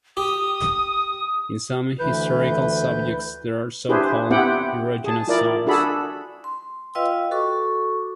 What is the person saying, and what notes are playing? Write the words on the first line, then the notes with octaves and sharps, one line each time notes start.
In some hysterical subjects there are so-called erogenous zones.
G4 D#6
D2 E3 B4 G6
D4 E4 G4 G#4 B4 C5
B3 C4 E4 G4 F#5 G5
G#4 A5
E4 F4 A#4 D5
D4 F#4 G#4 A4 B5
C6
F4 B4 D#5 F5 G5 E6
F#4 A4 C#6 D6